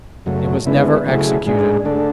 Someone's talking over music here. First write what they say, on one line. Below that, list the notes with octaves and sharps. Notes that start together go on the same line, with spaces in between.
"It was never executed."
F#2 C#3 F#3 A3
D3 G#3 B3 E4
C#3 F#3 A3 E4 G#4
G#2 G#3 D4 G#4
D3 A3 D4 A4